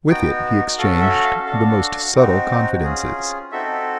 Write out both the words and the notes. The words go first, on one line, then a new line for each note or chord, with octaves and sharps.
With it he exchanged the most subtle confidences.
B3 D#4 F#4 G5
C#4 F#4 A4 F5
E5
F5
D4 F#4 A4 F5
C4 D#4 F#4
C#4 F4 G#4
C4 D#4 F#4 A4 E5